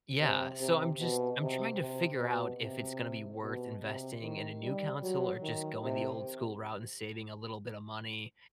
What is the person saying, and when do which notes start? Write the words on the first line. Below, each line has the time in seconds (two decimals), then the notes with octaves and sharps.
Yeah. So, I'm just I'm trying to figure out if it's gonna be worth investing in a new console or just going the old school route and saving a little bit of money.
0.20 C3
0.61 C3
1.01 B2
1.41 C3
1.81 C3
2.21 B2
2.62 C3
3.42 B2
3.82 C3
4.23 D#3
4.62 G3
5.03 F#3
5.43 D#3
5.83 C3